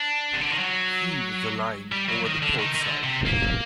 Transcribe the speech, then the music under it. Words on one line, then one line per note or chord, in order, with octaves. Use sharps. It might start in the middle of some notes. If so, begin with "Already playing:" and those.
Heave the line over the port side.
Already playing: D4
C3
D3
D#3
F#3
G3
F#3
D#3
D3
D#3
D#3
D3
C3
A#3